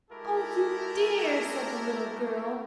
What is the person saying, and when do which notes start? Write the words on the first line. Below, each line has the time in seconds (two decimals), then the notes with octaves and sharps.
"Oh, you dear!" said the little girl.
0.11 G#3 E4 F#4 G4 A4 A#4